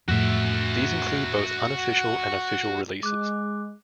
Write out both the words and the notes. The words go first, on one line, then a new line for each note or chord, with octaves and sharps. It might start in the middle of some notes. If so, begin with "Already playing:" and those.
These include both unofficial and official releases.
F2 A2 F#4 E5
G#3 D6 F#6